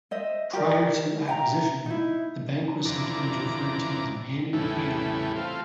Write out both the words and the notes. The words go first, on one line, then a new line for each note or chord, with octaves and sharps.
Prior to acquisition, the bank was sometimes referred to as Manny Hanny.
C5 D#5 E5
G4 A#4 D5
E5 G5 A#5
D#4 E4
F2 D3 E3 A#5 D6
E2 A2 C#3 E3 G3 A3
A3 C4 F4